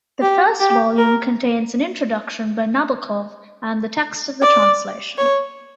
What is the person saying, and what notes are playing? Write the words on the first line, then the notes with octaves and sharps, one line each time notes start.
The first volume contains an introduction by Nabokov and the text of the translation.
G4
G4
A#4
D5
C#5